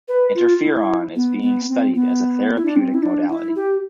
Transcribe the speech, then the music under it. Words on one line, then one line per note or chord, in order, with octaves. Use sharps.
Interferon is being studied as a therapeutic modality.
B4
F4
E4
B3
B3
C4
B3
E4
D4
C4
E4
D4
E4
G4